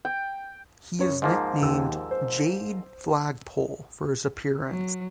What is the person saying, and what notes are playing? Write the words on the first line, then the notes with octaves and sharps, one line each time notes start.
He is nicknamed "Jade Flagpole" for his appearance.
G5
F#2 C#5
G#2 F3 A#3 D#4
D#2 E6
C5
F#3